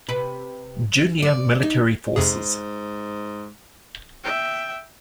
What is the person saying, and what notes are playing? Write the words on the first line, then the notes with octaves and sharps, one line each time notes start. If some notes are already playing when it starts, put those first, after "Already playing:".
Junior Military Forces.
C3 B4
D5
D#4
F2 G#2 C3 G#4
E5 G5